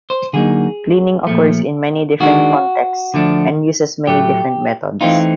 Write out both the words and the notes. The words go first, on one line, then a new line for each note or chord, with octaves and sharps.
Cleaning occurs in many different contexts, and uses many different methods.
C5
D3 F#3 A#3 D#4 G#4
A#2 F3 A3
D#3 G#3 B3 D4 F#4
D3 F3 A3 D4
A2 F#3 A3 G4
E3 A3 C4 D#4 F4